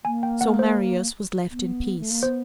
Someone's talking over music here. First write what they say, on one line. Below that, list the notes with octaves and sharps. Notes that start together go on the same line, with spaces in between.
So Marius was left in peace.
A#3 G#5
G5
F#5
C5
B3
A3
A#3
B3 C5